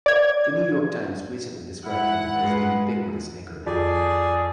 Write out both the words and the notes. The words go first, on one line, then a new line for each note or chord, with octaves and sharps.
The New York Times recently described him as the ubiquitous anchorman.
D5 G#6
G#2 E4 F#5
G#3 F4 G#4 B4
F2 G#4 D5